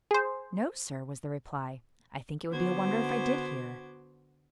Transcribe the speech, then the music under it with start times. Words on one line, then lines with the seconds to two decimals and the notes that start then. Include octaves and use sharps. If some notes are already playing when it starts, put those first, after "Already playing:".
"No, sir," was the reply; "I think it would be a wonder if I did hear."
0.11 G#4 C5
2.50 D3 B3 F#4 C5 D6 G#6